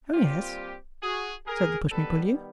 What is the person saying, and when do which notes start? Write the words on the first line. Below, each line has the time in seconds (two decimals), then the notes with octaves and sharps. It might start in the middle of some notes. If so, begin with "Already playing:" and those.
"Oh, yes," said the pushmi-pullyu.
0.13 A#2 G3 C4 F4 G4
1.02 F#4 G#4
1.46 G#4 A#4
1.91 D#3 G3 B3 A4 B4